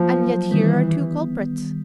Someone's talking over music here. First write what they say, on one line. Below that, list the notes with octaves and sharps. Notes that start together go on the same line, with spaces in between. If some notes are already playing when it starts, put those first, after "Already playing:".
"And yet here are two culprits."
Already playing: F3 F#3 A#3
D#3 E3 G3 B3